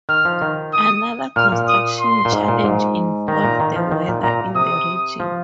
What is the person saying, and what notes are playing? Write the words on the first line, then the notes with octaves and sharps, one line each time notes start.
Another construction challenge involved the weather in the region.
D#3 F6
F3
D#3
D#6
A#2 F6
A#2
D#6
C6
A#2
G#2
A#2
G#2
D#3 A#5
A#2
D#3
F3
D#3
A#2
A#2 A#5
C3 D#6
F3